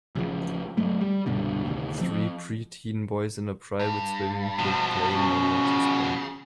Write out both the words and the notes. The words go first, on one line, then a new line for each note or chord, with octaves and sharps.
Three preteen boys in a private swimming pool playing a water sport.
A1 C#3 F3
G1 F#3 A3
G3
C2 G2 B2 D3
A1 D2 C3 D#3
F3 C4
G2
B2 F3
C#4
C#3